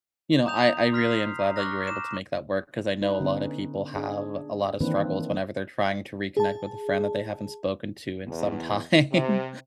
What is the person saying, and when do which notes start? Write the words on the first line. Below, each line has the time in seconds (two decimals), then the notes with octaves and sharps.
You know, I I really am glad that you were able to make that work 'cause I know a lot of people have a lot of struggles whenever they're trying to reconnect with a friend that they haven't spoken to in some time.
0.46 A#5 D#6 G6 F7
0.93 C6 F6 B6 C7
1.39 A#5
1.56 C#6 D6 F6 F#6 A#6
1.87 D6 E7
3.02 D#4 B4
3.20 D3 B3 C#4
3.96 D4 G#4
4.81 D#3 E3 A#3 C4 D4 B4
6.37 G#4 A5
8.28 E2
9.12 C3